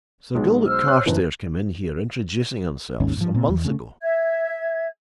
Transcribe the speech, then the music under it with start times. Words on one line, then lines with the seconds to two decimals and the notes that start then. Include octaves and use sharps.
Sir Gilbert Carstairs came in here, introducing himself, some months ago.
0.35 B1 G#3
0.67 C5 E6 F6
0.88 C#5 F#6
1.06 F#1 E3
3.00 G#1 D#2 G#2 C#4
3.17 G#2 F3
3.34 A#2 C4
3.49 E2
3.65 C#3 A3
4.01 E5 G#6